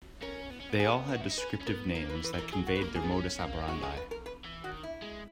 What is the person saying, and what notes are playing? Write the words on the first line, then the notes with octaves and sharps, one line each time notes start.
They all had descriptive names that conveyed their modus operandi.
C#4 A#4
B3
C#4
B3
G#4
A#4
F#4
E4
D#4
C#4 B4
C#4
B3 A#4
A#3 A#4
B4
E3
B4
E3 A#4
F#3 G#4
F#4
B4
A#3 A#4
G#4
B3
C#4
A#3
G#3 F#4
G#4
B4
A#4
B4
E3
D#3 F#4
E4
G#3